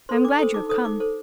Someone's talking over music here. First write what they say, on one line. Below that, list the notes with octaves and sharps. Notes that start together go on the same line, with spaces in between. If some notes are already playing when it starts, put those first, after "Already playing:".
"I am glad you have come."
A4 C5 C6
D4 D6
A4 C5 D#6
D#4 D6
A4 C5 D#6
D#4 D6
A4 C5